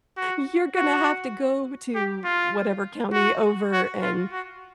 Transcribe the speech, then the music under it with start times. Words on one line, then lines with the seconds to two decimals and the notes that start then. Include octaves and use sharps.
You're gonna have to go to whatever county over and"
0.18 F#4
0.76 F#4
1.95 G4
2.25 F4
3.13 F#4
3.72 F#4
4.02 F4
4.32 F#4